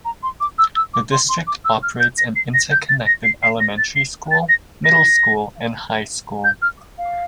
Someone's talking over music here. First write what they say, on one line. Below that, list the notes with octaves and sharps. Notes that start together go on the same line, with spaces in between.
The district operates an interconnected elementary school, middle school, and high school.
A#5
C6
D6
E6
E6
D6
C6
C6
D6
E6
F6
G6
A#6
C7
A#6
G6
A6
A#6
C7
C7
A#6
A6
C7
A6
A#6
A#6
G6
F6
F5